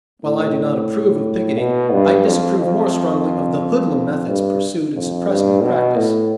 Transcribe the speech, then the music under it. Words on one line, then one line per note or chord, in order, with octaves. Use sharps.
While I do not approve of picketing, I disapprove more strongly of the hoodlum methods pursued in suppressing the practice.
A2
B2
G2
F2
F2
G2
F2
G2
B2
A2